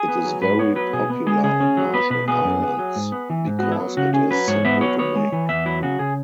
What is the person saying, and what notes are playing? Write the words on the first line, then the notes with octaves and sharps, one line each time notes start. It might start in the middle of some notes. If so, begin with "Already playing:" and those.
It is very popular on Marshall Islands because it is simple to make.
Already playing: G#4
B3
F#3
G#2 B4
B3 C#5
F#3 B4
B2 G#4
B3
G#3 G#4
C#3 G#4
C#4
F#3
B3 B4
B2 B4
B3 G#4
F#2
B3
F#3
G#2
B3
E3
G#2
B3 F#4
E4
F#3
C#3 F#4
C#4 G#4
F#3 B4
G#2 C#5
B3 E5
F#3 C#5
B3 C#5
G#3
E3
E2 E5
F#3 E4
C#3 F#4
C#3 G#4